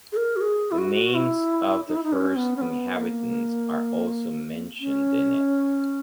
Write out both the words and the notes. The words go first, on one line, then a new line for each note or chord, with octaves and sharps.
The names of the first inhabitants are also mentioned in it.
G#4
A#4
F#4
G#4
E4
F#4
E4
D#4
E4
D#4
C#4
B3
C#4
B3
A#3
C#4